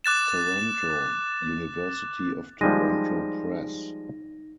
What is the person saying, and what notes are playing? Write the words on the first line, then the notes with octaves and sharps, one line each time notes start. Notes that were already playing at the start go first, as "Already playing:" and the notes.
Toronto : University of Toronto Press.
D6 F#6 A6 E7
F3 G3 G#3 D#4 A#6 D#7